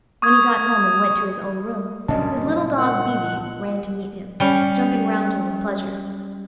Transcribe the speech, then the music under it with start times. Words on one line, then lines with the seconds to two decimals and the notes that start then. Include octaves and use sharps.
When he got home and went to his own room, his little dog Bibi ran to meet him, jumping round him with pleasure.
0.22 C#6 D#6 G#6
2.08 F#2 A#2 C#3 G3 C#4 D4 D#5 A5
2.78 A#4 F#5
4.40 G3 C#4